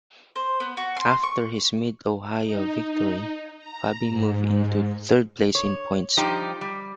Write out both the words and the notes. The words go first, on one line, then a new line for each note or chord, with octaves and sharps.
After his Mid-Ohio victory Fabi moved into third place in points.
C5
B3
F#4
C6
C#6
D#4
A#5
G#2
C#5
F3 G3 D#4 G4
G3